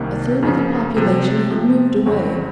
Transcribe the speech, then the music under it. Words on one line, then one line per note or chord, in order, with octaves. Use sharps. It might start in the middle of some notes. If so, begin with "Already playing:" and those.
A third of the population had moved away.
Already playing: C2 C3 D#3 A#3
F#2 C#3 F3 A#3
C3 F3 C4
C3 F3 C4
F2 C#3 F#3 C4 F#4